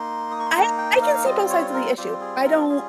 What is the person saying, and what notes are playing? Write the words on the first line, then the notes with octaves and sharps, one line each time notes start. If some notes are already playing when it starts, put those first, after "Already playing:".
I I can see both sides of the issue. I don't
Already playing: A#3 D#4 C6
D#6
C#6
C6
A#3 D#4 A#5
G5
F5
F5
G3 C4 F4 D#5
C#5
A#4
G3 C4 F4 G4
G#4
A#4
G3 C#4 F4 G#4